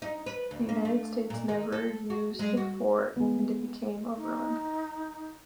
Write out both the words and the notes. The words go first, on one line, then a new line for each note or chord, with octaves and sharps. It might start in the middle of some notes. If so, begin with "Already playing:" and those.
The United States never used the fort and it became a ruin.
D#4
B4
D2
A#3
A3
A#2
D#3
A4
F#4
G#3
F#4
G#3 B3
D#4